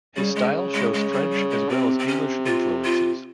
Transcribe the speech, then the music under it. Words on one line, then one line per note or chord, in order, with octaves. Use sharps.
His style shows French as well as English influences.
C#3 G3
G#3
G#3
G#3
G3
G3
G#3
C3 C4
C4
C#4
F4
F4